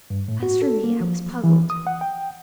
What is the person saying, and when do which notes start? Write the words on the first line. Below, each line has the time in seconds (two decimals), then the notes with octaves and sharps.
As for me, I was puzzled.
0.10 G2
0.28 A2
0.43 F#4
0.62 A4
0.84 A#3
1.01 F3
1.44 E3
1.70 D#6
1.87 F#5
2.01 G5